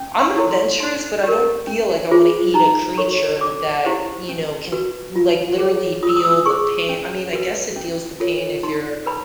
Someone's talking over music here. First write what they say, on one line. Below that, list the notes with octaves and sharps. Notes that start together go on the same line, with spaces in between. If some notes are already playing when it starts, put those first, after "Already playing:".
I'm adventurous, but I don't feel like I wanna eat a creature that, you know, can, like, literally feel the pain I mean, I guess it feels the pain if you're
Already playing: C#4
C6
C#6
E4 A4 C#5
C6
D#4 C6
G4 A#4
C#4
F4 G#4 C5
D#4 A#5
F#4 A4 C#5 C#6
C#4 D6
E4 G4 C5
C#4
F#4 B4
F4
G#4 C#5
F4 D#6
E6
D#6
E6
D#6
G#4 C5 C#6
C#4
F#4 B4
C#4
F4 A4 C#5
D#4 C6
B4 B5